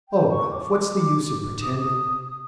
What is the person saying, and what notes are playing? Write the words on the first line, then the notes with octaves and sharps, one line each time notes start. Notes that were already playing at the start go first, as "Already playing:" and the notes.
Oh, Ralph, what's the use of pretending?
G5
C#6
D6
D6
D#6
D6
D#6
D#6